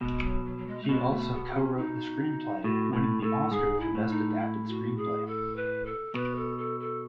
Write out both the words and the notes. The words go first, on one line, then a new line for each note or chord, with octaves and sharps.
He also co-wrote the screenplay, winning the Oscar for Best Adapted Screenplay.
B2 G#3
F#3
F#3
F#3
G#3
A3
B2 G#3
A3
B3
C#4
D#4
A2 F#4
A2
A2 A4
G#2 G#4
E4
A2
D#4
E4
F#4
G#4
A4
B4
A4
B2 B4
A4
A4
A4